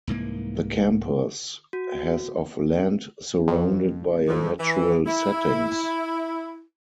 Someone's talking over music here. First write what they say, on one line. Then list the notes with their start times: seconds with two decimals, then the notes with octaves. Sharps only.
The campus has of land surrounded by a natural settings.
0.07 C2 G#2 E3 A#3
1.73 F#4
3.48 F2
4.28 F2
4.60 E3
5.06 E4